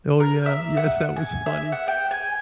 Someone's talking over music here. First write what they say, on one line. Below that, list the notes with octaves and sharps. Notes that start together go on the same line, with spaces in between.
Oh, yeah, yes, that was funny.
A#4
E5
F#5
G#5
E5
F#5
G5
G#5